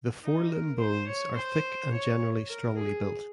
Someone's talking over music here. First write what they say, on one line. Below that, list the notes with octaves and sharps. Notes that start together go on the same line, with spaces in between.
The forelimb bones are thick and generally strongly built.
D#4
A#4
C5
C#5
C5
C#5
A#4
G#4